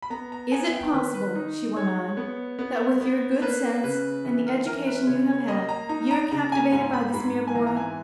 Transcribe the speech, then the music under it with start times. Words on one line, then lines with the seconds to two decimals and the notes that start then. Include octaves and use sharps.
"Is it possible," she went on, "that with your good sense, and the education you have had, you are captivated by this mere boy?"
0.02 B5
0.10 B3 A#5
0.32 A#5
0.52 B3 G#5
0.68 E5
0.73 G5
0.94 D#3 B4
1.14 B4
1.35 D#4
1.76 G#3 C#5
2.17 B3
2.59 B3
3.01 B3
3.42 A#3 B4
3.83 C#3 B4
4.25 E3 B4
4.46 A#4
4.66 E3 A#4
4.87 B4
5.07 C#3 C#5
5.28 C#5
5.48 A#3 D#5
5.69 A#5
5.89 D#4 A#5
6.11 A#5
6.32 C#3 A#5
6.52 G#5
6.72 G#2 G#5
6.93 B5
7.14 G#2 B5
7.47 G#5
7.55 E3 A#5
7.67 A#5
7.77 G#5